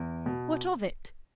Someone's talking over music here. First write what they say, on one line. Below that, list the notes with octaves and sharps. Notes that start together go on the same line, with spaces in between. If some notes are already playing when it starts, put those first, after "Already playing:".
What of it?'
Already playing: E2
B2